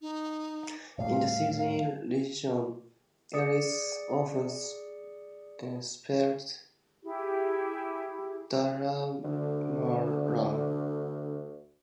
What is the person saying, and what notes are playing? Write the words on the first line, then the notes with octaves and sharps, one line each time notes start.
In the Sydney region it is often spelt Daramulan.
D#4
D#1 A2 G3 F5
G#4 D5 D#6 C#7
E4 G4 G#4
D2 D3